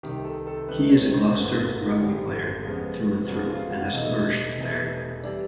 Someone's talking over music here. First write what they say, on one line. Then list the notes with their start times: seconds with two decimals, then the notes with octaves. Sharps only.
He is a Gloucester Rugby player through and through and has flourished there.
0.03 C2 C3 D#3 G4
0.24 A4
0.47 A4
0.68 C2 C3 D#3 B4
0.90 C#5
1.11 C5
1.33 G#1 G2 D3 B4
1.66 A#4
1.98 G#1 G2 D3 G4
2.63 F2 C#3 F3 G#3 B3
3.28 F2 C#3 F3 G#3 B3 F#4
3.50 F4
3.71 F#4
3.93 E1 E2 C3 E3 A3 D#4
4.58 E1 E2 C3 E3 A3
5.24 E3 G3 D4